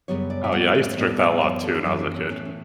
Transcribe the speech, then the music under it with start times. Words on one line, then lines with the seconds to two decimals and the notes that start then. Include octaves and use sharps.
Oh, yeah, I used to drink that a lot too when I was a kid, but
0.08 F#2 C#3 G3 B3 C#5
0.30 D5
0.44 E5
0.52 A2 G3 B3 F#5
0.75 E5
0.83 D5
0.91 C#5
0.97 A2 G3 B3 D5
1.40 F#2 E3 B3 C#5
1.64 A4
1.74 D4
1.84 F#2 E3 B3 E4
2.00 D4
2.14 C#4
2.29 A2 E3 A3 C#4
2.45 C#4